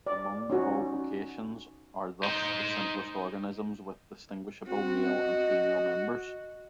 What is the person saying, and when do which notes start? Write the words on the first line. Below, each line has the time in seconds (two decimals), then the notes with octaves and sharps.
Among the Volvocaceans are thus the simplest organisms with distinguishable male and female members.
0.07 D5
0.50 C#4 D#4 F#4
2.23 D#4 C5
4.68 C4 F#4
5.09 D#5